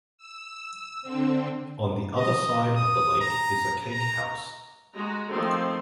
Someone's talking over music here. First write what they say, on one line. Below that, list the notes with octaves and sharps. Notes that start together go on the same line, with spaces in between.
On the other side of the lake is a cake-house.
E6
D3 C4
D#5
D#6
A#5
A#5
G#3 F#4 A#5
D#3 F3 A3 C4 A4 C6